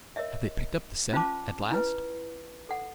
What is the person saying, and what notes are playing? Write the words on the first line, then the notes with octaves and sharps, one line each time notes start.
"Have they picked up the scent--at last?"
A#4 C#5 D#5 E5
C#4 F4 C5 F5 A5 D6
E4 B4
A4 F#5